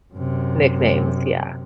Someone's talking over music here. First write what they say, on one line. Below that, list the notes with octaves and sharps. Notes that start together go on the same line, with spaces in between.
Nicknames, yeah.
F#2 C3